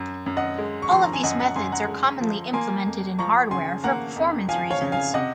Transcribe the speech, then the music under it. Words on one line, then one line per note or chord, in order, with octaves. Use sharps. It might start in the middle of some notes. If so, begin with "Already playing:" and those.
All of these methods are commonly implemented in hardware for performance reasons.
Already playing: F#2
F#2
D#5 F#5
G#3
C#6
F3 C6
A#5
G#5
F#2 D#5 F#5
F#5 A#5
F#2 G#5 C6
F#5 A#5
G#3
F3
A#3 G#5 C6
F2
F3 A#5 C#6
C#3 G#5 C6
A#3 F#5 A#5
F2
F3 F5 G#5
C#5 F5
C#3
F5 G#5
C3 D#5 F#5